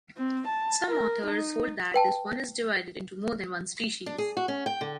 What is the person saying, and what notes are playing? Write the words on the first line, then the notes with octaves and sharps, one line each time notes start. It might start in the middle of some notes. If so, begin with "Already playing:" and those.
Some authors hold that this one is divided into more than one species.
C4
A5
A#4
D#4
B4 G5 A5
D4
G#4
F#4
C#4
G5
D3